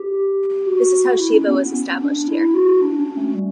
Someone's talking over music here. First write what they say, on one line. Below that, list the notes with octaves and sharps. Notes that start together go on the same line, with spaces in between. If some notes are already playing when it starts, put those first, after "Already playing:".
This is how Shiva was established here.
Already playing: G4
F#4
E4
C#4
B3
B3
C#4
D4
E4
F#4
D4
C#4
A3
G3